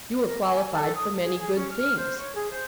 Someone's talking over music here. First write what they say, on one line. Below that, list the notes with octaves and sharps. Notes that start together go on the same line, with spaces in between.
You are qualified for many good things.
A#4
G#5
A4
D#6
G#4
G#4
C#4
F6
C5
C#5
G#4
C5